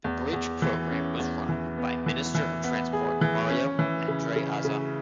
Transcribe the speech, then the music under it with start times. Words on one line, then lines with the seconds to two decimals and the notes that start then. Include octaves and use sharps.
The bridge program was run by Minister of Transport Mario Andreazza.
0.04 E2
0.33 E2
0.62 E3
0.91 C#4
1.19 E2
1.49 E3
1.78 B3
2.06 E3
2.35 E3
2.64 B3
2.93 G#4
3.21 E3
3.50 C#4
3.79 E3
4.08 C#3
4.36 C#3
4.65 C#3